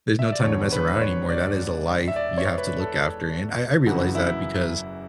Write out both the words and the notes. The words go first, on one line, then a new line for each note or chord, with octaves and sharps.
there's no time to mess around anymore, that is a life you have to look after, and I I realize that because
E5
D5
E1 E2 D3 C#5
B4
C#5
D5
E5
D5
C#5
B4
A4
F#1 F#2 C#3 E3 F#4
E4